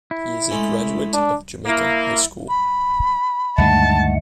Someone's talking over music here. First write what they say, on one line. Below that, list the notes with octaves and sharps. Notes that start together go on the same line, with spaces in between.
He is a graduate of Jamaica High School.
E4
G#3 A3 C#4
D4
A#3 E4
B5
D2 G2 D#3 G#3 A3 F#5 A5